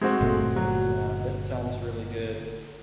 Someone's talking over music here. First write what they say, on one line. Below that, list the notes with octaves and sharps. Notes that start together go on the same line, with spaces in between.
Yeah, that sounds really good.
G#3 C4 F#4
G1 A#2 A3
F#3